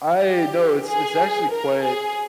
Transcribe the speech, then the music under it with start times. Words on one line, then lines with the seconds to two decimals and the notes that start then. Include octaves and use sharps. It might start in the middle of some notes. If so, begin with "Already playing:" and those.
I no, it's it's actually quite
0.22 G4
0.86 G#4
1.51 A#4
1.83 G#4